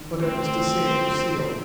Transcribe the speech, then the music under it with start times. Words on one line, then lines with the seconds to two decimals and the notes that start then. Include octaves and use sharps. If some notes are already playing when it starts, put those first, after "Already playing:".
But it was to save Lucille.
Already playing: D#3 D4
0.22 A3 C4
0.55 F3
0.89 A#3
1.22 F3